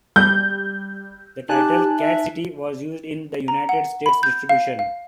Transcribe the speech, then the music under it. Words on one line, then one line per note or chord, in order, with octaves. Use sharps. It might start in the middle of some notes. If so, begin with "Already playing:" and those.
The title "Cat City" was used in the United States distribution.
G3 G6
D#4 G4 G#5 A5 F#6
E5
A#5
F#5
B5
G6
F5
F5